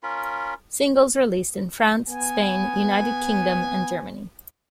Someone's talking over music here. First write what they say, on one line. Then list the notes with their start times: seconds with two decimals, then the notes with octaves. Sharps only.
Singles released in France, Spain, United Kingdom and Germany.
0.03 C#4 F4 A#4 B5
2.09 B3 G#5